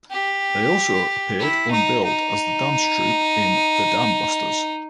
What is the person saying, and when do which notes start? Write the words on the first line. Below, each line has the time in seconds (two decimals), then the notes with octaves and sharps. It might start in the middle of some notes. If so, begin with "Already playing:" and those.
They also appeared unbilled as the dance troupe in "The Dam Busters".
0.11 G4
1.40 E4
1.71 D#4
2.04 D#4